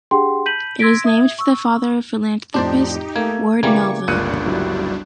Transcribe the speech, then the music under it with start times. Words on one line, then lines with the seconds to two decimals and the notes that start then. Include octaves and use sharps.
It is named for the father of philanthropist Ward Melville.
0.11 D4 G4 G#4 F#5 G5 C6
0.45 A5 B5 G6 B6 D#7 F#7
0.79 C6 E6 G#6 A#6 B6 D7
1.04 E5 D#6 G#6
1.39 C#6 E6
2.54 F2 A2 D4 D#4 G4 C5 D5
3.16 A3 A#3 G#6
3.63 C#3 E3 G3 A#3 C#6 D6 G#6
4.08 G1 C#2 A#2 G3 D4 F#6 C#7 D#7
4.46 F#3 E4 G4